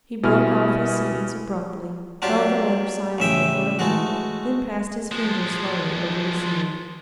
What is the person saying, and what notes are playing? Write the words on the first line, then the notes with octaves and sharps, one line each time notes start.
He broke off his sentence abruptly, held the letter silently for a moment, then passed his fingers slowly over the seal.
B2 G3 E4 G#5 F6
F#3 D4 F4 G4
A1 C#3 E5 G5
G#3 A3 F#4
F3 G#3